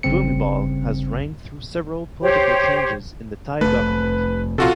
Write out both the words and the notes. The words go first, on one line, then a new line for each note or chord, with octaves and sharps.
Bhumibol has reigned through several political changes in the Thai government.
G1 C#3 G3 C4 C#7
G4 C5 C#5
F1 A3 B4
A#1 C3 F4 F#4 A4